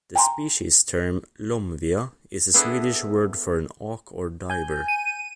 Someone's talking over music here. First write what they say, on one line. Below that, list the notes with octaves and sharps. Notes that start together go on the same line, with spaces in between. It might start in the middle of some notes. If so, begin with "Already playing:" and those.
The species term "lomvia" is a Swedish word for an auk or diver.
G5 G#5 A#5 C6
B3 D4 E4 G#4 A4
G#5 G6
D#7